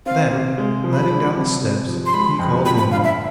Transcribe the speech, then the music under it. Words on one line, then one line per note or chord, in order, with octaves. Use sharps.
Then letting down the steps, he called Homo.
C4 F5
C3
G#3
F3
B5
D4
C3
G#3
F3
C6
G#3 B5
F2
F3 B5
B5
D3 F5
E5